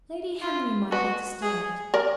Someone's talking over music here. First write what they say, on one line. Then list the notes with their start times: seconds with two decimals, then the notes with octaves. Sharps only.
"Lady Henry might be disturbed."
0.41 F4
0.92 F#4 B4 D#5
1.42 G#4
1.94 A#4 D5